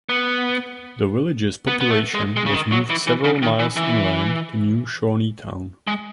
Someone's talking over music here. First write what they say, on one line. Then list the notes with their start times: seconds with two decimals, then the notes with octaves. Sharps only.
The village's population was moved several miles inland to New Shawneetown.
0.09 B3
1.67 B3
1.81 B3
1.91 A3
2.14 G#3
2.37 G#3
2.46 C#3
2.54 D#3
2.72 F#3
2.90 E3
3.07 E3
3.24 C#3
3.42 D#3
3.59 E3
3.77 E3
5.87 G#3